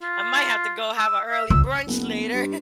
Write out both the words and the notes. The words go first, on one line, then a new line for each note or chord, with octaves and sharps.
I might have to go have an early brunch later.
F4
E6
E5
C#2 E6
F#1 B3
G2